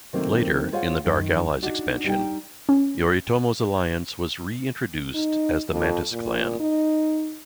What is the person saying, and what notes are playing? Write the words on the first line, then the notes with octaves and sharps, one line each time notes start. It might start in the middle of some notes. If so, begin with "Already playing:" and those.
Later, in the "Dark Allies" expansion, Yoritomo's Alliance was re-introduced as the "Mantis Clan".
C3 D#3 F#3 A3 A#3 C4
F4 G#4 C5 C#5 F5 F#5
F#2 D#3
D4 D#4 F#4
G3 D#4 E5 G5
C#4
D#4
F2
A#2
D#4